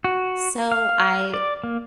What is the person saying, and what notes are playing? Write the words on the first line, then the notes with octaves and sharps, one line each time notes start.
So, I
F#4
F5
D5
A#3